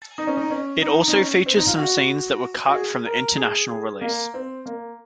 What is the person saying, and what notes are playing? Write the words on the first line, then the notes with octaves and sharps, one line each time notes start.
It also features some scenes that were cut from the international release.
D#4
C#4
D#4
C#4
D#4
D#4
C#4
C4
D#4
F4
F#4
F#4
G#4
A#4
G#4
G#4
A#3
C4
A#3